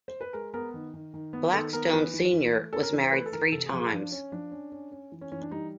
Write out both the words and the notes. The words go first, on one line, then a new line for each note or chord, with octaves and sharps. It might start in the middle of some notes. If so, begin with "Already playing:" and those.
Blackstone Senior was married three times.
C5
B4
G#3 A#4
B3 A#4
D#3
D#3
D#3
B3
D#3 A4
B3 A#4
E3 B4
E3
E3
A3
C#4 A4
A#4
E3
C5
A3 B4
A4
E3 A#4
C3 A4
G#4
F3
G#4
F3 D4
C#4
F3 D4
C#4
C#4
C#4
E3
C#4
E3 C#4
D4
G3 D#4